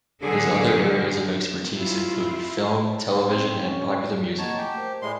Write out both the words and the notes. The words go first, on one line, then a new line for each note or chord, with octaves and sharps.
His other areas of expertise include film, television, and popular music.
D3 F#3 G#4 A4
E4 F4
C4
C#4
A#3 C#5 D#5 F#5 A5
A3 G4 G#5 A5
A#4 C5
A2 G#3 D5 G#5 B5 C6